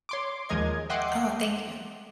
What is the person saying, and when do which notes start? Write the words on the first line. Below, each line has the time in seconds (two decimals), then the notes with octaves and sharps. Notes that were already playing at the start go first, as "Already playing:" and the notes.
Oh, thank you.
0.09 C#5 C6 D6
0.49 D#2 F3 G#3 A#4 D#5 G#6
0.90 D#5 E5 F#5 G5 C6 D6